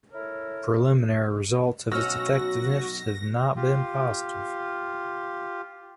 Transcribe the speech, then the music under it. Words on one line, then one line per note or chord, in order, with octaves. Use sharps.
Preliminary results of its effectiveness have not been positive.
E4 A4 A#4 C#5
B1 C#4 F#4 E6 F6 A#6
F4 G4